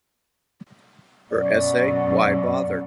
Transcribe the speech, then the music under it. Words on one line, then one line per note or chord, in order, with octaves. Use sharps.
Her essay Why Bother?
F#2 B2 D5